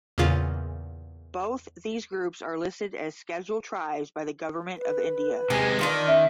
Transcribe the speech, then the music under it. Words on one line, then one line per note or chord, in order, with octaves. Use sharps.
Both these groups are listed as Scheduled Tribes by the Government of India.
E2 A#2 C#3 F4
B4
C3 G#3 G#4
D#3 D4 F4 G4
C#4 E5